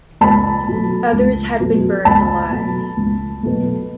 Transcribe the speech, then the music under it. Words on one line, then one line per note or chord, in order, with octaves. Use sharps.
Others had been burned alive.
C#2 A5 B5
B2 F#3 A3
C#2
B2 F#3 A3
C#2 A5 B5
B2 F#3 A3
C#2
B2 F#3 A3